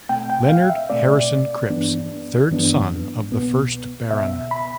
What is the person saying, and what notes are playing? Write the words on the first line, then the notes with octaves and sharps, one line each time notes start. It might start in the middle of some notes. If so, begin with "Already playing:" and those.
Leonard Harrison Cripps, third son of the first Baron.
B2 A3 C4 G5
G5
F5
E5
B2 A3 C4 D5
G2 E3 B3 D4
G2 E3 B3 D4
C2 B2 B3
C2 B2 B3 E5
B5